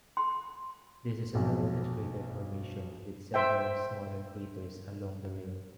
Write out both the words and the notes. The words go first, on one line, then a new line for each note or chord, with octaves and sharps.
This is an eroded crater formation with several smaller craters along the rim.
C6
B1 F2
C5 E5 G5